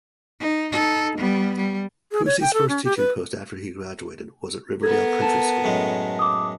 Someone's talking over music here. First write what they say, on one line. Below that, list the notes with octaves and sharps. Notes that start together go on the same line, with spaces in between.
Pusey's first teaching post after he graduated was at Riverdale Country School.
D#4
D#4 A4
G3 B3
G3
G#4
C#5
G5
A4
C#4
G4
B4
B3 A4 A#4 G#6
A5
F#2 A2 G#3
D6 D#6